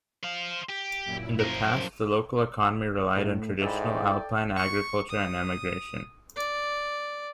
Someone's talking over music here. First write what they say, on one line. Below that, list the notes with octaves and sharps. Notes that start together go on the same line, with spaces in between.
In the past, the local economy relied on traditional alpine agriculture and emigration.
C5 F5
G4
F#2 A#2 E4
F#2 F3 A#4 C5
A2
G#2 E4 A4 D5 G5
C#6
D#6
D5